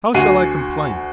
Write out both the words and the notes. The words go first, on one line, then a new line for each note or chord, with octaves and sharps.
How shall I complain?
D2 F#4 G#5 C7 D#7